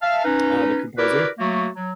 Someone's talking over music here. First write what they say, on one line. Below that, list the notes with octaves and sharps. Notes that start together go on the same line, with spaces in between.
uh, the composer.
E5 F5 A5
C#4 D#4 B4
E4 F#4 G4 A#4 B4 D5
F#3 A3 A#3 F#4
F#3